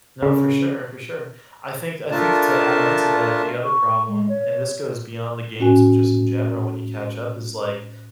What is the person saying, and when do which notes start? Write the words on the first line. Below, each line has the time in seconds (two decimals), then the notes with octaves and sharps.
No, for sure, for sure. I think I think to add on to that, the other problem, and this goes beyond the games, but just in general, when you catch up is like,
0.23 C#3
2.11 A3 D4 F4 A#4 A5
3.63 C#6
4.08 G#3
4.29 C#5
5.59 A2 C#4 F#4 G#5